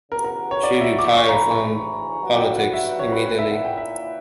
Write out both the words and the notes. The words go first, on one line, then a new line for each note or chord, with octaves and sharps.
She retired from politics immediately.
C#3 E3 G3 B3 F#4 A#4
A#4
C#5
D5
E5
D6
D2 C#3 E3 C#6
A#5
B5
C#6
G2 F#3 B3 F#4
G5
F#5
E5
C#5
B4
A#2 A#3 E4 B4
E5
F#5
G5
E5